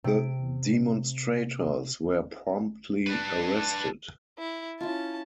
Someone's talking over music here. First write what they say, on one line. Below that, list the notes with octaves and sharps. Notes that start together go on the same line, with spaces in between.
The demonstrators were promptly arrested.
C3 D7
D4 B4
E4
C#4 E4 F4 A5